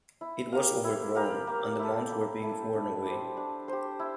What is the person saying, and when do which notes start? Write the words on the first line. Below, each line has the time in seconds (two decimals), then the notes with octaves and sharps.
It was overgrown and the mounds were being worn away.
0.21 E4
0.52 G4 A#4 F5
0.84 E4
1.15 G4 A#4 F5
1.47 A#3
1.79 E4 A4
2.10 A#3
2.42 E4 A4
2.73 D4
3.05 G4 C5
3.37 D4
3.68 G4 C5
4.00 E4